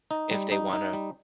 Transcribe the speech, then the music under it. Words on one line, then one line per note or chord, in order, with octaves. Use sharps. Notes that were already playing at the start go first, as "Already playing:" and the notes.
if they wanna
D#4
G3
D#4
D#4
G3